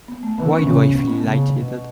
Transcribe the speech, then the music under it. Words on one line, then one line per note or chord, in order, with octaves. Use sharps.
Why do I feel light-headed?
B3
A3
E3 B3
C#4
C#3 C#4
B3
B2 C#4
B3
A3
C#3 B3
B2